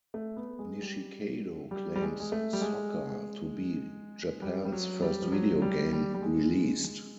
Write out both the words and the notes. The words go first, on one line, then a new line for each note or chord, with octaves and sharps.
Nishikado claims "Soccer" to be "Japan's first video game" released.
A3
B3
G#3
G3
G3
G3
G#3
G#3
A3
G3
G#3
G3
G3
F#3
G3
F3
F#3
G3
G3
G3
G#3